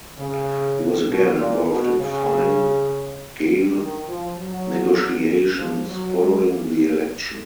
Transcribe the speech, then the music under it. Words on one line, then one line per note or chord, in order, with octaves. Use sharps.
He was again involved in Fine Gael negotiations following the election.
C#3
B2
A#2
B2
C#3
D#3
F3
F#3
F3
F#3
G#3